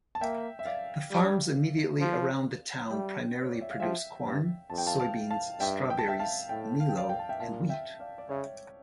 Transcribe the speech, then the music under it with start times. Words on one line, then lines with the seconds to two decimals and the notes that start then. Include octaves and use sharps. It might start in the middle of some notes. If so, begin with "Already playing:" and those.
The farms immediately around the town primarily produce corn, soybeans, strawberries, milo, and wheat.
0.15 A5
0.21 A#3 E5 G5
0.59 E5
0.65 D5 F5
1.11 G3
2.01 F3
2.91 G3 E5 G5
3.41 C#5
3.51 D5
3.61 E5
3.70 F5
3.80 F3 E5 G5
4.26 G2
4.70 F2 A5
4.78 G5
4.87 F5 A5
5.00 F5 A5
5.31 F5 A5
5.60 G2 E5 G5
5.90 G5
5.98 A5
6.08 E5 G5
6.19 F5 A5
6.49 A2 E5 G5
6.80 F5
6.89 G5
6.97 D5 F5
7.09 G5
7.19 A5
7.29 E5 G5
7.40 A#2 F5 A5
7.69 E5 G5
8.00 D5 F5
8.18 D5
8.29 C#3 C#5 E5